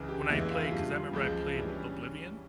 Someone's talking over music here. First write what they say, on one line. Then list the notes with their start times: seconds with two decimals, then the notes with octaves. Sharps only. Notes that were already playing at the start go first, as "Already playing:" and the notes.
when I play 'cause I remember I played Oblivion.
Already playing: C#2 C#3 E3
0.08 G4
0.29 E2 C#3 E3 G#3 E4
0.40 E4
0.50 F4
0.61 F4
0.71 G2 G3
1.13 C#2 C#3 F3 G#3
1.54 G2 E3 G3 E4
1.69 C#4